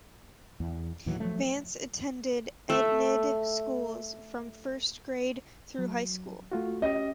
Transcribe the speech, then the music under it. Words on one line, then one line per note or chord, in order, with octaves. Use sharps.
Vance attended Enid schools from first grade through high school.
E2
D#2 A2 E3 F#3
F3 F#3 A3
A3 E5
F#3
A3 F4 F#4
C#4 G4 D#5